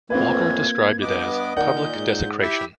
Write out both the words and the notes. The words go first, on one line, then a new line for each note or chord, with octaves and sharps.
Walker described it as "public desecration".
F2 A2 E3 A#3 C4 F4 B4 G#6
G2 B3 D#5 D6
A#2 D#3 A#4 D5 F#5 G6
G#2
E4 G4 E5